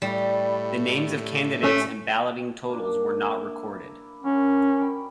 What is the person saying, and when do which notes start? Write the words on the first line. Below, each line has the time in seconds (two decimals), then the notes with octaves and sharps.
The names of candidates and balloting totals were not recorded.
0.02 A2 G3
1.64 A3 C#4
2.69 A#3 D4
3.22 E4
4.23 F#3 C#4 A#4
4.81 G5 B5